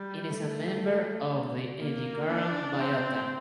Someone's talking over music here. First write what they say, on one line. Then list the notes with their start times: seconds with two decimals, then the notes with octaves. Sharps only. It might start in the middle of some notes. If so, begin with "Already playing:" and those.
It is a member of the Ediacaran biota.
Already playing: G3
0.30 A3
1.79 A#3
2.30 D4
2.80 C4